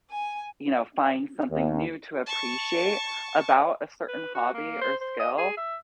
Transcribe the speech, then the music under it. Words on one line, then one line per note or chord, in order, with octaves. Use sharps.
you know, find something new to appreciate about a certain hobby or skill.
G#5
D#2
A5 C#6
B4
F#4
A#3
C5
C5
D#5
G#4
E5